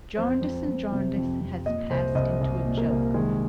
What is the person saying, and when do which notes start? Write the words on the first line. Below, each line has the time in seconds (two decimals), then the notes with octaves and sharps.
Jarndyce and Jarndyce has passed into a joke.
0.17 F2 C5
0.41 F2
0.67 F2
0.92 C3
1.16 F2
1.41 F2
1.66 A#2 D#5
1.91 C2 C5
2.15 C2 D#5
2.41 C2
2.65 A#2
2.77 A#3
2.90 C2
3.14 D#3 G#3